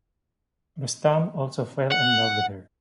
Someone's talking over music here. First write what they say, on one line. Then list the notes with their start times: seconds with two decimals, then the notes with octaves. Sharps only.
Rustam also fell in love with her.
1.92 F#5